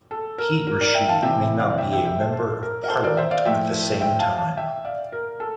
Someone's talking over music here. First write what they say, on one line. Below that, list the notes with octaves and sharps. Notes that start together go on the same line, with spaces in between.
He or she may not be a Member of Parliament at the same time.
A4
A#4
A#4
A#4 D5
E5 G5
F5 A5
C3 E3 E5 G5
D5 F5
E5 G5
E5 G5
E5 G5
A4 C5
A4
A#4
A#4
A4 C5
A#4 D5
C5 E5
D5 F5
A2 F3 E5 G5
E5 G5
F5 A5
F5 A5
E5 G5
D5 F5
A#4
A4